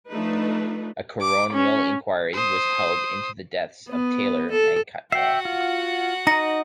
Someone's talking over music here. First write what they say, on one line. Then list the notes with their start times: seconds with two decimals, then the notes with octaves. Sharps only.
A coronial inquiry was held into the deaths of Taylor and Cutmore.
0.10 F3 A3 D4 D#4 B4
1.20 D6
1.53 C#4
2.34 C5 D#6
3.89 B3
4.52 A4
5.12 F#4 E5 F#5 G5 C7
5.45 F4
6.27 D#4 D#5 A#5 A#6 C#7